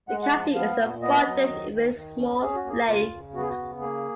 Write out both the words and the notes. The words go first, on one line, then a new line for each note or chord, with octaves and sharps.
The county is abundant with small lakes.
G#3 F#5
F#5
F3
B3 F5
A#2
B3 D#5
F#3
D#3
D#3
D#3
C#4
C#4 G#4
F#4
A#3 G#4
C#3 F4
C#3
B3 F#4
G#4
F#4
C#3
A#3 G#4